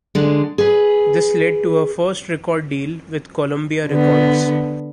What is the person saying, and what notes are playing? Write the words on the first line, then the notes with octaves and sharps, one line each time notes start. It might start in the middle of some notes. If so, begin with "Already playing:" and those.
This led to her first record deal with Columbia Records.
D3 G#3
G#4 B4
D3 B3